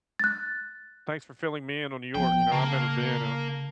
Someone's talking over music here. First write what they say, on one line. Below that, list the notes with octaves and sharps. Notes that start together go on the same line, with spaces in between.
thanks for filling me in on New York. You know, I've never been, and
F#6 A6
A1 F3 B3 G5
C#3 A#3 A5